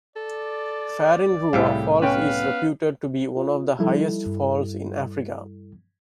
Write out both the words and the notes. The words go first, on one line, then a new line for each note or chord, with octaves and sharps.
Farin Ruwa falls is reputed to be one of the highest falls in Africa.
A4 D5
C2 A2 E4 G4 G#4 E5 F5
B3 C#4 F5 G5
F4
F3 G3 D#4 E4 A4
G2